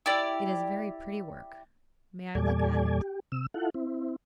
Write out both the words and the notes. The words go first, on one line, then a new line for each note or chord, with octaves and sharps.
"It is very pretty work--may I look at it?"
E4 G4 D5
E2 A#2 G3 A4 D5 G#5
G4
C3 E6
E4 F4 A4 F#5
C4 E4